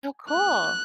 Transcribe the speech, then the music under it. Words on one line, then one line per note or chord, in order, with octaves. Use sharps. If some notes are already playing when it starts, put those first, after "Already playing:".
Oh, cool.
F#6